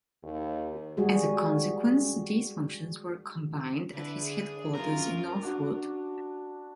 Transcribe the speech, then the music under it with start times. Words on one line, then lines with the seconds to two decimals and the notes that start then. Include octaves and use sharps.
As a consequence these functions were combined at his Headquarters in Northwood.
0.23 D#2
0.97 G3 G#3 F#4 G#4
3.92 D3 E4 B4
4.21 D4 G#4
4.75 F#2 C#4 F4 A#4
5.42 D4 F#4